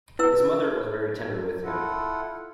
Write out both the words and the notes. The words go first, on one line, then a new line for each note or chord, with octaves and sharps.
His mother was very tender with him.
E4 B4 E6
E4 F4 A4 F#5